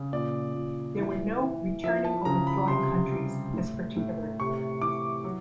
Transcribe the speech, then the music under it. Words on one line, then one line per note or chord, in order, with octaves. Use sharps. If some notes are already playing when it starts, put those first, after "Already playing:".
There were no returning or withdrawing countries this particular year.
Already playing: C#3
A#2 D5
A#2
E3
E3
F3 E5
A5
C#3 A#5
B5
C3 C6
G3
A2
A2
C3 C#6
E3 D6
F#3